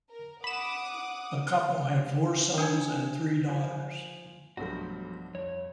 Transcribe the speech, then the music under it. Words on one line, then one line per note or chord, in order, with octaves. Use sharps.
The couple had four sons and three daughters.
A#4
F#5 B5 D6 D#6 E7
D4 B4 G#5 G#6
F3 G#5
B1 G2 B2 F3 G3 A3 F#4
F2 C#5